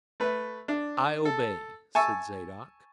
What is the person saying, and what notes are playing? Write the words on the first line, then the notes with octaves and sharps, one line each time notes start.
"I obey," said Zadok.
A3 B4
D4
A4
G#5 A5 C#6 E6